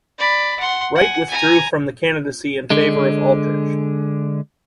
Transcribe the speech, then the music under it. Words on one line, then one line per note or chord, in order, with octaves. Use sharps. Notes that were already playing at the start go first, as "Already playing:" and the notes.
Wright withdrew from the candidacy in favour of Aldrich.
D5 B5
F#5 C6
F#5 G#5
G#5 A#5
D3 G#3